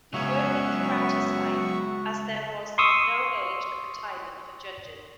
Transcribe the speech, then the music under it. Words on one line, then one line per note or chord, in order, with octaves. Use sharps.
He working throughout his life as there was no age of retirement for judges.
C#2 F#3 B3 C#4 F#4 E5 C#6
C6 C#6 D#6 E6